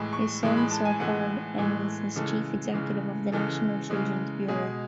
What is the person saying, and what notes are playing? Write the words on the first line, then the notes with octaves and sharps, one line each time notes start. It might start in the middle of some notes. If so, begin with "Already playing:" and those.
His son, Sir Paul Ennals, is chief executive of the National Children's Bureau.
Already playing: A2 E3 G#3 B5
C#6
A2 E3 G#3
B5
A5
G#5
A2 E3 G#3 F#5
A2 E3 G#3
C#3 E3 G#3 A4
C#3 E3 G#3
C#3 E3 G#3 A4
C#3 E3 G#3
B2 G#3 G#4